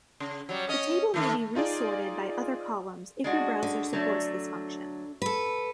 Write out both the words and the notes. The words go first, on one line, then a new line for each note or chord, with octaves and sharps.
The table may be resorted by other columns if your browser supports this function.
C#3
F#3 G3
C#4 D#5
D#3 A3
D#4 F4 G#4 D5
G#3 D4 F#4
D3
F#3 A3 D4
A4 B4